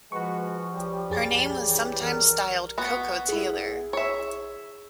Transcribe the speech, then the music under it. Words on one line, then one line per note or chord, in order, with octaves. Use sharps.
Her name was sometimes styled KoKo Taylor.
F3 G#3 F#4 B4 C#6
G3 C#4 G4
F2 G#4 A6
E3
A#4
B3 F#4
E4 G#4
C#5 E5